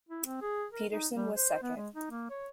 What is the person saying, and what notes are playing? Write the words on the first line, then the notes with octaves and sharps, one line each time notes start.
Peterson was second.
E4
C4
G#4
A#4
D#4
G3
C5
B3
G#3
D#4
A#3
C#5